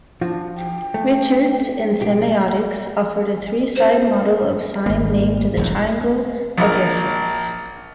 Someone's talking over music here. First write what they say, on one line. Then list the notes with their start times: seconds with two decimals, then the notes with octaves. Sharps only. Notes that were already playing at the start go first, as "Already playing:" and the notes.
Richards in semiotics, offered a three-side model of sign named the triangle of reference.
0.21 F3 D4 F4 F#4
0.56 G5
0.94 A3
2.01 B1 G4
3.76 C5
4.86 G#1 A#3
5.57 E1 B1 E2
6.57 A#1 A#4